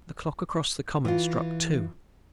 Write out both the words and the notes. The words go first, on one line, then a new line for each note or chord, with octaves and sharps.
The clock across the common struck two.
E3 F4